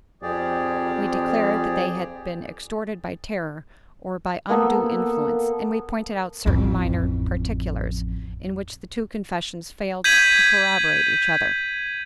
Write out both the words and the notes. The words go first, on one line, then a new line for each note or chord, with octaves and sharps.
We declared that they had been extorted by terror, or by undue influence; and we pointed out certain minor particulars in which the two confessions failed to corroborate each other.
F2 G4 G#4 D5
A#3 B3 A4
A1 F2
G6 G#6 B6 D#7 F#7